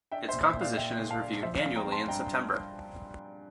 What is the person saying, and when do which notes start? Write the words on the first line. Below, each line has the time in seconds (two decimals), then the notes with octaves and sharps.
Its composition is reviewed annually in September.
0.12 D4 E5 G5
0.28 C5 E5
0.34 A#2
0.45 C5 E5
0.55 A#2
0.61 D5 F5
0.77 A#2 E5 G5
0.99 A#2
1.10 F5 A5
1.21 D4
1.43 F3 C5 E5
1.59 D5 F5
1.65 C4
1.76 G5 A#5
1.87 C4
1.92 A5 C6
2.08 G2 G5 A#5